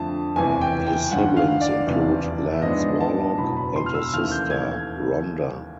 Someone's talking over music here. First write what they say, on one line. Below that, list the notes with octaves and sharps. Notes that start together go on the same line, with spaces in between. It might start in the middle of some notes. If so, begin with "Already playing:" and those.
His siblings include Lance Warlock and a sister, Rhonda.
Already playing: F2 D3 F3 A3 A5
F#1 E2 C3 E3 G#5
G5
G5
G1 G2 D#3 F#5
F5
D5
F1 E2 C3 E3
E5
G#2 F3 G#3 B3 D4 D#5
A5
F#1 E2 B2 F#3 B5
B5
C6
F6
E6
D#2 C#3 E3 A3 F6
G6
G#6